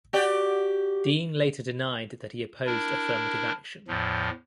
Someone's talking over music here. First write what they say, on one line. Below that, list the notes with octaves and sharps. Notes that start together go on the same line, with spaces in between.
Dean later denied that he opposed affirmative action.
F#4 G4 D5
D4 E4 A#4
E2 A2 F3